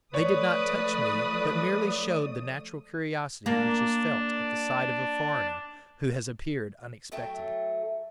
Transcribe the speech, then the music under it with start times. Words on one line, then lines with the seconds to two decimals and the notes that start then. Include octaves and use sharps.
They did not touch me, but merely showed the natural curiosity which is felt at the sight of a foreigner who has appeared unexpectedly.
0.14 F3 A3 B4 C#5 D5 D#6
3.46 A#3 D4
7.12 F#3 A3 A4 G5